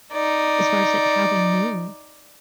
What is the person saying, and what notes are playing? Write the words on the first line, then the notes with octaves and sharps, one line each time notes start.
as far as, like, how we move.
D#4 D5